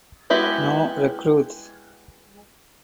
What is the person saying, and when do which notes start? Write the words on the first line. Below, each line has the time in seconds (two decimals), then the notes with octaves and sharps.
No recruits.
0.30 G#3 B3 E4 F#4 G4